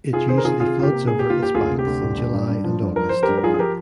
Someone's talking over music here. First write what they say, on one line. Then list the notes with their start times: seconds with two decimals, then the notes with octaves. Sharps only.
It usually floods over its banks in July and August.
0.13 C3 F4 G#4
0.28 D#3 G#4 C5
0.38 A#4
0.44 C3 F4 G#4
0.60 C3 F4 G#4
0.77 C3 F4
0.83 G4
0.92 A#3
1.07 A#3 G#4
1.19 A#3 G4
1.30 F4
1.39 A#3 G4
1.55 D2 F4 G#4
1.71 C3
1.79 G4
1.86 D2
2.02 G1
2.18 G1
2.33 G2
2.49 G2
2.64 F3
2.81 G2
2.96 F3 A#4
3.09 F3 C5
3.23 G4 A#4
3.28 G2
3.38 A#4
3.43 F3 F4 G#4
3.54 G#4
3.59 F3 G4 A#4